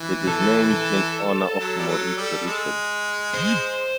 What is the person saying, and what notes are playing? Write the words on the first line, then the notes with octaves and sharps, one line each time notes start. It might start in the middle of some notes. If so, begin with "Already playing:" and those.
It is named in honour of Maurice Richard.
Already playing: E3
A4
A4
F#3
G3
F#3
G3
G#3
C5